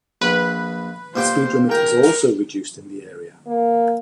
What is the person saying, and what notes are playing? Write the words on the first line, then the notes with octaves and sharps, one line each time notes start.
The speed limit is also reduced in the area.
A#1 B4
A#2 G4 C5 G5
A#4 G5
A#3